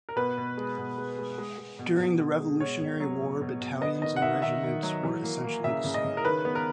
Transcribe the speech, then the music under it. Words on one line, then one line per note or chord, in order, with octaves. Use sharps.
During the Revolutionary War, battalions and regiments were essentially the same.
A#4
B2 B4
B2
G#3
B2
G#3
G#3
G#3
G#3
B2
B2
B2
G#3
B2 C#5
B2
F#3
B2
B2
B2
B3 D#5
D#3 D#5
F#5
D#3 E5
D#3 E5
D#3
F#3
E3
A#3
A#3
C#3 E5
C#3
D#5
C#3
A#4
D#3 B4
B3
A#4